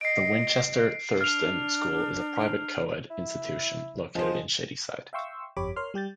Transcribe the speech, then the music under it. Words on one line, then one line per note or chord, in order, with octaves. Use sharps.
The Winchester Thurston School is a private co-ed institution located in Shadyside.
D#5 C7 D7
D4 F6 F7
E4
F3 G#3 C5
E5 F5 G5 C6 C#6 E6
G1 F2 G4 C#5 B5 D6
A#4 C#5 C6 F6
G3 G4 G6 A6